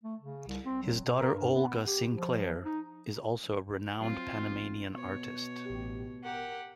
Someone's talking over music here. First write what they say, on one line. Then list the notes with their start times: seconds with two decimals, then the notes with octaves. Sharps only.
His daughter Olga Sinclair is also a renowned Panamanian artist.
0.04 A3
0.20 C#3
0.47 C2
0.65 C4
0.83 F#3
1.04 B2
1.20 A#4
1.33 G2
1.54 B3
1.86 G4
2.14 F3
2.65 D#4
4.00 F#3 C4 F4
4.33 A1
4.94 B2 C#5
5.65 A1 G4
6.24 G4 A#4 F#5